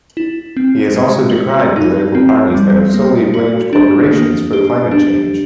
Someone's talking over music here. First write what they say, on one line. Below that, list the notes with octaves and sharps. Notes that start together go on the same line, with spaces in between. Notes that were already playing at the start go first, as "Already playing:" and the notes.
He has also decried political parties that have solely blamed corporations for climate change.
E4
C4
G#3
F#4
D#4
C4
G3
A#3
F#4
D4
A#3
G4
D4